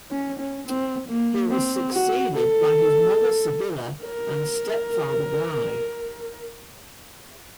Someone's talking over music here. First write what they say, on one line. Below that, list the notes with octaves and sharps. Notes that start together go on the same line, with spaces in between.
He was succeeded by his mother Sibylla and stepfather Guy.
C#4
C#4
C4
A#3
C4
F#4
A4
A#4